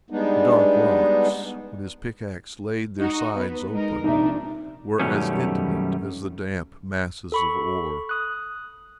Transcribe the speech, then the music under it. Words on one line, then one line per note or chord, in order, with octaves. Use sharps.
The dark rocks, when his pickaxe laid their sides open, were as inanimate as the damp masses of ore.
G3 G#3 B3 D4 D#4
G#3 D#4 F#4
B3 B4
G#3 D#4 A#4
A#1 C3 D4 D#4 E5
F#2 B2 D#3 G3 A3 C#4
A4 B5 C#6
D#6 F#6